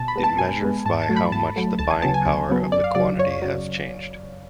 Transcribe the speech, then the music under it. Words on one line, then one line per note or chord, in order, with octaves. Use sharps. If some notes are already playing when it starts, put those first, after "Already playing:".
It measures by how much the buying power of the quantity has changed.
Already playing: B2 A5
B5
G#3 B3
A5
B2 G#5
G#3 B3
G#2 A5
A5
F#3 A3
B5
G#2 A5
F#3 A3
D2 A5
G#5
C#3 F#3 B3 A5
G#5
D2
C#3 F#3 B3
F#2 D5
F5
C#3 F#3 D5
F#2 C#5
C#3 F#3